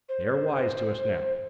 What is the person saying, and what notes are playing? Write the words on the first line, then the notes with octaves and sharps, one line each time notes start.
They are wise to us now.
C5